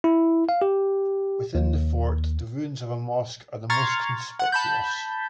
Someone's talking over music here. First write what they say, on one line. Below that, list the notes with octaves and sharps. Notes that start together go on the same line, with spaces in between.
Within the fort the ruins of a mosque are the most conspicuous.
E4
F5
G4
D#2
A#5 C6 C#6 F6 G#6 A6
F#5
A5 B5 G6